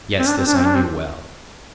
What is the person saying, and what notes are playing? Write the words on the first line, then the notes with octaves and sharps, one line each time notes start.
Yes, this I knew well.
C4
D4
C4
D4
C4
D4
C4